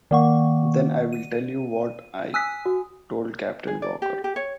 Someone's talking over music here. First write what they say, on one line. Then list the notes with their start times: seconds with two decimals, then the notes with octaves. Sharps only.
Then I will tell you what I told Captain Walker.
0.11 D#3 A#3 D5 F#5 C#6
1.13 D#7
2.34 G#5 D#6 E6 F#6 B6
2.66 F#4
3.67 G#4
3.82 D5
4.02 G4
4.24 G4
4.36 C#5